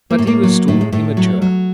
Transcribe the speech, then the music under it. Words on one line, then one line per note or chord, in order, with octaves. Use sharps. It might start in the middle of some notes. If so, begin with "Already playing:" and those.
But he was still immature.
A#3
A2
A#3
F#3
A2
G#3
A2 A3
F#3
F#3